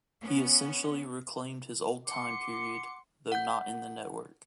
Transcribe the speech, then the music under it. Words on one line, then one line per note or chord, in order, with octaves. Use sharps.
He essentially reclaimed his old time period, though not in the network.
B3 C#4
F#5 C6 D6 C#7
F#5 G6